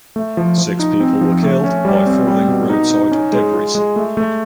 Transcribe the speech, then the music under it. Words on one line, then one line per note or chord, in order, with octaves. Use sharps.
Six people were killed by falling roadside debris.
A3
F3
F3
D#4
C4
F3
A3
C#4
G3
C4
G3
B2
D#4
D#4
C#4
G#3
F4
G#3
A3
A3